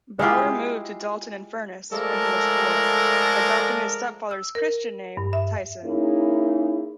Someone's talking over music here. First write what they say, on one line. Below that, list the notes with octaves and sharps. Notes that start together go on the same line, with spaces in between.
Bower moved to Dalton-in-Furness when he was four, adopting his stepfather's Christian name Tyson.
G#3 E4 F4 G4
F3 G#3 A3 A4 A#4 D5
E6
A#4
G2
E5
A#3 C#4 D#4 E4 G#4